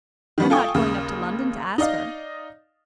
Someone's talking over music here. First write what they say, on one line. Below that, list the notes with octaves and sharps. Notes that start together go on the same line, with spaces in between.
I'm not going up to London to ask her.
D#3 G3 B3
F4 A4 G5 G#5 C#6 D#6
D#2 C#3
D#4 D5 D#5 F5